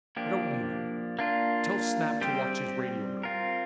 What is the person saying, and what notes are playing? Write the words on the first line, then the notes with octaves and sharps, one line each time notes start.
I don't mean that! Tell Snap to watch his radio room.
F3 A#3 D4 G4
A#3 D4 F4
G3 C4 G4 C5
C4 F4 A#4